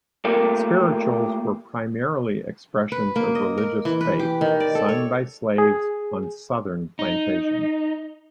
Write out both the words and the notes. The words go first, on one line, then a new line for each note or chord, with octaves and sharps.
Spirituals were primarily expressions of religious faith, sung by slaves on southern plantations.
A3 A#3 F4 G4 A4 A#4
B4
A#3
D#5
A#4
E3
B4
G4
D#3
D5
A4
C#5
G#4
D#4